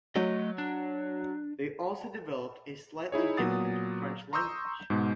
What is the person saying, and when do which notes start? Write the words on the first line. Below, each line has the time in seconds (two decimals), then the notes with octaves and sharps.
They also developed a slightly different French language.
0.16 F#3 A3 D#5
0.58 D4
3.12 D#4 E4 G#4 C#5
3.37 A#2 F#3 B3 F#5 D#6 A6
4.33 A#5 C6 C#6 D#6 E6 G6
4.90 G#2 B2 G#3